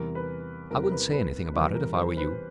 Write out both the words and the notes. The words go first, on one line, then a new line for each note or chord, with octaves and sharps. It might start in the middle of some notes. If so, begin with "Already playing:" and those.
I wouldn't say anything about it if I were you.
Already playing: E2 C3 E3 G3 A#4
B4
E2 C3 E3 G3 A#4
A#4
B4
B4
E2 C3 E3 G3 B4
A#4
C5
B4